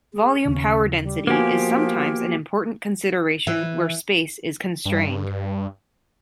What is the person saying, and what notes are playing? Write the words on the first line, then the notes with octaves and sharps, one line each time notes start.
Volume power density is sometimes an important consideration where space is constrained.
G#4
D#2 C#3 C#4
G3
F3 A#3 B3 F#4 G4 G#5
E3
G2